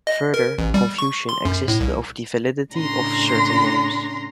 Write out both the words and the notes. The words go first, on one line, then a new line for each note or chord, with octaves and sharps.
Further confusion existed over the validity of certain names.
D#5
A#4
A1
G3
C#6
C6
F#2
A2
C2
A2 C#3 C#4 D4 A#5 C6